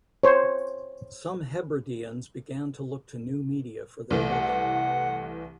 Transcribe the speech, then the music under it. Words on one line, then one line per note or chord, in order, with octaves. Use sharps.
Some Hebrideans began to look to new media for their living.
C5 C#5
C2 E3 A3
F#5